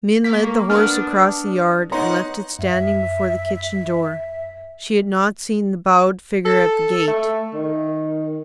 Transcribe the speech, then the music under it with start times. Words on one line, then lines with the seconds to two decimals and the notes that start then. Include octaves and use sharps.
Min led the horse across the yard and left it standing before the kitchen door; she had not seen the bowed figure at the gate.
0.24 A#3 B6
0.44 A#4 C#6
0.70 B3 D4 F6
1.92 B3 D#4 C#5 F#5 A#5 C6
2.59 F#2 E5
6.45 A4
7.08 A3
7.54 D#3